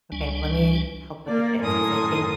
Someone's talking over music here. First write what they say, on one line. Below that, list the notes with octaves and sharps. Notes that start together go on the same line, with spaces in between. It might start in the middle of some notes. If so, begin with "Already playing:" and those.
"Okay, lemme help with the kids," 'cause I think
C#2 G3 D4 G#5
A#3 D5
F#2 A2 A#4 G#5 C6 D#6